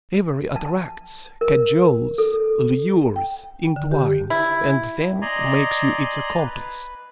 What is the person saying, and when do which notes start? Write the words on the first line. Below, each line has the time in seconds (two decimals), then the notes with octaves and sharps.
Reverie attracts, cajoles, lures, entwines, and then makes you its accomplice.
0.56 A5
1.41 A#4
2.18 A4
3.16 G5
3.76 D3
3.91 G4
4.30 E4
5.22 D5 D#5 G#5 A#5 C6
6.39 B4